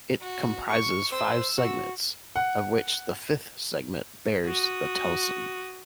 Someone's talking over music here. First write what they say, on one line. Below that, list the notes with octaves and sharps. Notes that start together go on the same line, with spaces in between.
It comprises five segments, of which the fifth segment bears the telson.
F#4
C#6
C5 E6
F#4
F#5
F#4 D#6